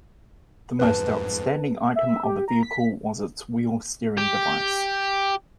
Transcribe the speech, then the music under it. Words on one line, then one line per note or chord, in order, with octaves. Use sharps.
The most outstanding item of the vehicle was its wheel-steering device.
F2 G#2 B4 A5
E5
G4
A#5
B6
G4